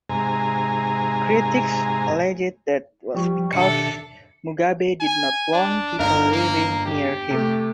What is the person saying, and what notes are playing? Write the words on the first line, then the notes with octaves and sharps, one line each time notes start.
Critics alleged that was because Mugabe did not want people living near him.
G#2 C3 G#5 A#5
F3 G3 C#6
B2 D#3 D4 A4 E5 C#7
G#5
D4
G1 D#4 A#4 F5
A#3
G4
C3 A3